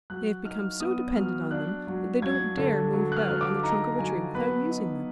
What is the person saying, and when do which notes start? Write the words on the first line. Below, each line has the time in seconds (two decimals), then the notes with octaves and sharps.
They have become so dependent on them that they don't dare move about on the trunk of a tree without using them.
0.10 F#3 F#6
0.45 D#4 F6
0.80 B3 D#6
1.15 F#3 F6
1.51 D4 F#6
1.87 F#3
2.22 F#3 G#6
2.57 D3
2.93 F#3
3.12 F#6
3.17 F6
3.29 F#3
3.41 D6
3.63 D#4 A#5
3.99 F#3 G#5
4.34 B3 B4
4.70 D#4